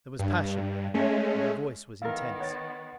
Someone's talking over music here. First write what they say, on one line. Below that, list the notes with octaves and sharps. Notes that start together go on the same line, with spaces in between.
There was passion there; and her voice was intense.
G2
G#3 A3 C#4
D#3 B3 E4 A#4 F5 F6
C#5 F#5 A6